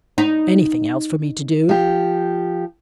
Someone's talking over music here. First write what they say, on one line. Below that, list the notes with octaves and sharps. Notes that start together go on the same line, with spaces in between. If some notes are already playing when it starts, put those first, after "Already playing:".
"Anything else for me to do?"
D#4
F3 G4